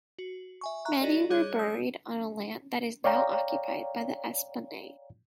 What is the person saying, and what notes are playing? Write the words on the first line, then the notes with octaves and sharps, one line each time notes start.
Many were buried on land that is now occupied by the Esplanade.
F#4
E5 G#5 C#6
E5 A#5 C#6 F#6
D#4 E4 F#4 A4 D5 D#5
G3 G#4 C#5 F#6 G#6
D#6 E6 G6
C#5 D5 F5 G5 A#5